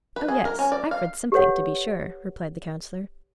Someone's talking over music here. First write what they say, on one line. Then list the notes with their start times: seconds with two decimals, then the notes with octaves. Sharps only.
"Oh yes, I've read something, to be sure," replied the Councillor.
0.16 B4
0.28 G#4
0.45 A#4
0.59 C#4
0.72 D5
0.91 F5
1.32 G4 A4 B4 C#5 F#5